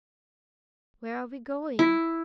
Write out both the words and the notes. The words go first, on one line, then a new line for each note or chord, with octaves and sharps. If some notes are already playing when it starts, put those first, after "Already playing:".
"Where are we going?"
E4